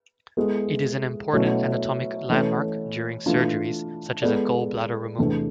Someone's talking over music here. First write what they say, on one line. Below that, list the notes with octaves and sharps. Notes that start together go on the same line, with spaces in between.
It is an important anatomic landmark during surgeries such as gall bladder removal.
G#3 B3 E4 A4
B2 F#3 A3 C#4 E4
E3 A3 C#4
E3 A3 D4 F4
G#3 B3 E4 A4 D5
E2 C3 E3 A3 D4